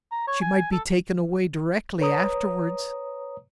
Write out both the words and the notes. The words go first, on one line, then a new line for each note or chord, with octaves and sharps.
She might be taken away directly afterwards.
A#5
C#5
G#5
A4
B4 C#5 A#5 D#6